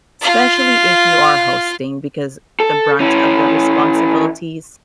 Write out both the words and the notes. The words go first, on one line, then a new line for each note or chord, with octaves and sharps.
especially if you are hosting, because the brunt of the responsibilities
F4 F5
A4
E3 C#4